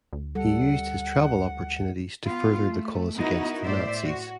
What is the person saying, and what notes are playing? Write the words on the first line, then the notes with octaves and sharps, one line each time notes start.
He used his travel opportunities to further the cause against the Nazis.
D2
G3 A4 F#5
B3 F4
A3
B3 D#4 E4 F#4 A#4
A2 C5 D5 E5
F#4